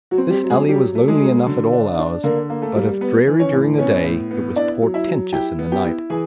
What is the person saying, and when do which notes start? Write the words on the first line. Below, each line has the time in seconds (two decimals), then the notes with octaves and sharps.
This alley was lonely enough at all hours; but if dreary during the day, it was portentous in the night.
0.11 F#3 F#4
0.18 C4
0.30 G3 G4
0.43 F#3
0.50 G#3 G#4
0.69 F#3 G3 G4
0.95 A3
1.08 G#3 G#4
1.21 F#3
1.47 D3
1.72 D4
1.99 D4
2.24 D3 A#3 A#4
2.50 A#3
2.62 A3 A4
2.76 G3
3.01 B3 B4
3.27 E3
3.40 C#4 C#5
3.53 A2
3.78 B3 C#4 C#5
4.04 A2
4.31 B3
4.56 D4 E4 D5
4.82 F#3
4.94 E4 E5
5.07 F#3
5.33 E4 G4 G5
5.59 B3
5.72 G4 G5
5.85 E4
6.10 E3 G#4 G#5